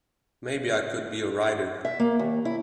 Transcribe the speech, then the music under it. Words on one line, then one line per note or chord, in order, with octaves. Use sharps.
Maybe I could be a writer.
E5
A#3
D#2
E4